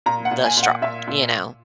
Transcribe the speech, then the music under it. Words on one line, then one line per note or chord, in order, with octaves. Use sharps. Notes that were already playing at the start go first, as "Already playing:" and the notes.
the straw, you know?
A#2 A#5
F#5
A#2
G#5
A#2
F#5
A#2 E5
A#2